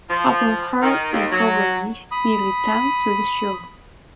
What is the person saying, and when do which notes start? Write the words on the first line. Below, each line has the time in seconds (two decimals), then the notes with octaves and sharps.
Upon her recovery she returned to the show.
0.10 F3
0.82 D#3
1.13 D#2
1.31 F#3
2.11 B5 D#6